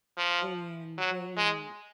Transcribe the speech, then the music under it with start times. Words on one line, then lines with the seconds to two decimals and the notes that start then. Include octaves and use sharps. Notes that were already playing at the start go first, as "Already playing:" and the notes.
and they
0.17 F3
0.97 F#3
1.37 G#3